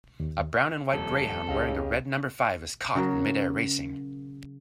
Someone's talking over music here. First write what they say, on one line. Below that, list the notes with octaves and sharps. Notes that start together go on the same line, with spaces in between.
A brown and white greyhound wearing a red number five is caught in midair racing.
D#2
D#1 F2 A4
C#2 C#3 G4 D#5 F5
C#3 F#3 A#4